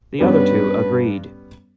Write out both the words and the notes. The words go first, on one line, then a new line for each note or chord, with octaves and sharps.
The other two agreed.
G2 G3 B3 C#4 B4